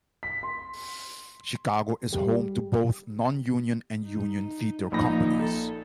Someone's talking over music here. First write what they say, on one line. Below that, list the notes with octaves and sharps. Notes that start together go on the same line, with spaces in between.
Chicago is home to both non-union and union theater companies.
B6
C6
G3
D#4
A#1 A#3 D#4 B5 A#6
A4